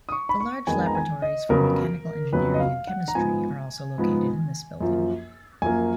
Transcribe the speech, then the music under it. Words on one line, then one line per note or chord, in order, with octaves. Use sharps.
The large laboratories for Mechanical Engineering and Chemistry are also located in this building.
D#6
C#6
B5
C#6
F2 D#3 G#3 B3 G#5
A#5
G#5
D#5
F2 C#3 F#3 B3 A#4
F2 C#3 F#3 B3 B4
D#5
F5
F#5
A#5
G#2 F3 B3 G#5
G#2 F3 B3
F#2 F3 A#3
F#2 F3 A#3 G#5